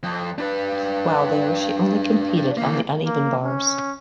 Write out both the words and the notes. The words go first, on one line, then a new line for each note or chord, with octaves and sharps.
While there she only competed on the uneven bars.
F2
D4 B4
E3 A#3
A#3
C#4